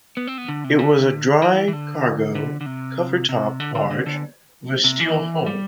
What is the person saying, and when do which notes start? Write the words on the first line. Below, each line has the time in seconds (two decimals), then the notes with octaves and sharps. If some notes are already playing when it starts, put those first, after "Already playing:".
It was a dry cargo cover-top barge with a steel hull.
0.17 B3
0.27 C4
0.38 B3
0.49 D3
0.64 C3
0.79 D3
1.42 E3
1.68 E3
1.73 D3
2.35 D3
2.61 D3
2.66 C3
3.29 C3
3.60 D3
3.75 D3
3.90 D3
4.06 D3
4.84 C3
5.00 E3
5.46 G3